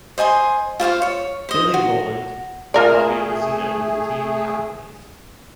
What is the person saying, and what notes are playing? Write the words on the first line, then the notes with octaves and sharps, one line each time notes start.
Billy Roland and Bobby Brezina were the team captains.
C5 D#5 G#5 C6
F4 C5 F5 C#6
C#5
C5 D#5
F#4
A3 F4 G#4 A#4 D5